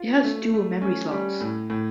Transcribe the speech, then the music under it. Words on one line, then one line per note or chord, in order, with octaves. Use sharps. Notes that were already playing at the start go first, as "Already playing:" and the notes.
It has dual memory slots.
Already playing: F4
A3
A3
C#4
G3
A2
A2